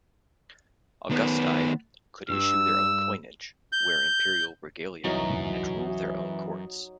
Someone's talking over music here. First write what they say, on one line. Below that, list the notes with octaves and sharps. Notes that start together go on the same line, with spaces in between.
"Augustae" could issue their own coinage, wear imperial regalia, and rule their own courts.
D#3 B3
G2 E6
G6
C2 F#2 E3 F#3 D#4 D#5